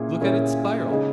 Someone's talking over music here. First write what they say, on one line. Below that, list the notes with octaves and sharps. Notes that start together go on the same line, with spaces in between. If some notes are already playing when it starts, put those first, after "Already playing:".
"Look at its spiral!"
Already playing: A#2 A#3 C#4 E4 G#4
A#2 A#3 C#4 E4 G#4
C#3 G#3 D#4 G#4